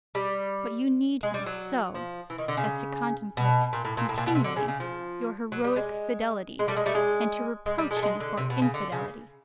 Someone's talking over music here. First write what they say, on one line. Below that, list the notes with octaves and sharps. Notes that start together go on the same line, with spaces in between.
But you need him so as to contemplate continually your heroic fidelity and to reproach him for infidelity.
G3
G#3
G3
F#3
F3
E3
D#3
D3
C#3
B2
A#2
A2
A#2
A2
A#2
B2
C3
D3
C#3
C#3
F3
F#3
G3
G#3
G#3
G3 A3
G#3
G3 A3
G#3
G#3
G3
G#3
A3
G#3
D3
C3
B2
C#3
D3
C#3